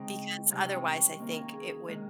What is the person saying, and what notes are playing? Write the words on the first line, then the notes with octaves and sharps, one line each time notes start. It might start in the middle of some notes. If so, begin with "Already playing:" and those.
because, otherwise, I think it would
Already playing: C#3 G#3 C4 D#4
C3 G3 C4 D#4
C#4
C4
C#4
D#3 A#3 C4
C#4
D#4
G#4
C3 D#3 G#3